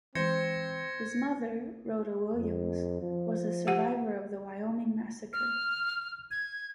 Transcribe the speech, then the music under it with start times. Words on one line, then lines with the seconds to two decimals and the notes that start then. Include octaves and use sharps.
His mother, Rhoda Williams, was a survivor of the Wyoming Massacre.
0.15 E3 G#3 C4 C5 G#6 A#6 C#7
2.33 F2
3.01 F3
3.67 G4 F#5
5.33 F6
6.31 G#6